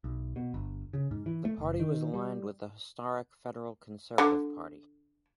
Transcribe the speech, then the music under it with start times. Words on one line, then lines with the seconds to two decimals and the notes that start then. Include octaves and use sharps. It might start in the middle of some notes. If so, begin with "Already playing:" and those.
The party was aligned with the historic federal Conservative party.
0.04 B1
0.36 B2
0.54 G1
0.93 C#3
1.11 G#2
1.26 E3
1.45 A3
1.58 F#1
1.80 D#3
2.14 G3
4.18 D3